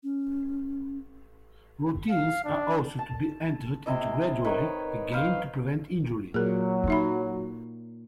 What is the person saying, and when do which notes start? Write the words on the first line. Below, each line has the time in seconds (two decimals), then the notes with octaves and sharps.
Routines are also to be entered into gradually, again to prevent injury.
0.03 C#4
2.10 F5
2.44 D4
2.99 A5
3.86 C3 E4 D#5
4.45 D#3 B4 C#5
5.12 B4 C5 F5
6.34 A#2 F#3 G#4 A#4
6.88 D#4 E5 B5